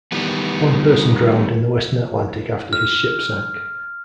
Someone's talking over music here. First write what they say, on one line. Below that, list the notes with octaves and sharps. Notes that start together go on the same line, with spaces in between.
One person drowned in the western Atlantic after his ship sank.
D#3 E3 G3 B3
F6